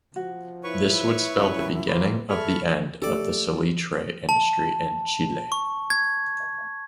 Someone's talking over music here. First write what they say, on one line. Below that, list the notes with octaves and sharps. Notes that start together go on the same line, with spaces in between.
This would spell the beginning of the end of the salitre industry in Chile.
F3 F#4
E4 B4 C#5 C#6
F#2
A#3 B3 B4 C5
A2 G#4 A4 E5 B5 C#6 F6
A3 G4 A4 D5
A5
C#6
G#6